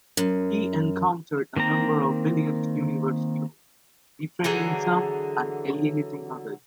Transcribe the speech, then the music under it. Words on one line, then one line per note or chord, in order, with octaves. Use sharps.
He encountered a number of Valiant Universe heroes, befriending some and alienating others.
F#2
D#3 A#3 C4 A#5
D3 E3 F#3 G#4